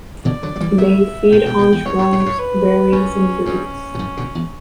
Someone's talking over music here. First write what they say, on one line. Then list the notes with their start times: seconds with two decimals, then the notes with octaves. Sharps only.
They feed on shrubs, berries and roots.
0.25 B2 D3 D5
0.43 D3 F#3
0.56 F#3
0.60 E3 G3
0.78 F#3 A3 E5
1.32 A2 C#3 G5
1.46 G2 B2
1.59 G2 B2
1.72 E2
1.85 E2 G2 C#5
1.98 F#2 A2
2.12 F#2 A2
2.20 B2
2.26 F#2 A2
2.39 B4
2.92 F#2 C#4
3.46 E2 G2 C#4
3.95 B2
3.99 F#2 A2
4.17 B2 D3
4.35 E2